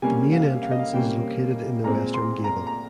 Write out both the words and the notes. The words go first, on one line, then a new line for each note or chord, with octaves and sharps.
The main entrance is located in the western gable.
C3 G3 A#3 C#4 G#5
F5
F5
D#5
F5
C3 G3 A#3 C#4 G5
A#2 G#3 C4 A#5
C6
A#5
A#5